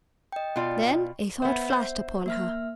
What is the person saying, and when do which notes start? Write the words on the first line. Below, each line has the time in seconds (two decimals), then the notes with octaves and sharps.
Then a thought flashed upon her.
0.32 D#5 G5
0.56 B2 F4 D5
1.42 B3 C5 E5
1.69 C5
2.26 A#3 E5 F6